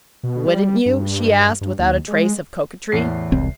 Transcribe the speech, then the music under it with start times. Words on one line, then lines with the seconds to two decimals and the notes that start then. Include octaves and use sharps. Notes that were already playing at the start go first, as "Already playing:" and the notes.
"Wouldn't you?" she asked, without a trace of coquetry.
0.23 B2
0.47 G3
0.86 G2
1.61 G2
1.79 D#2
2.08 G#3
2.92 E2 A2 C7
3.32 E1 C2 C4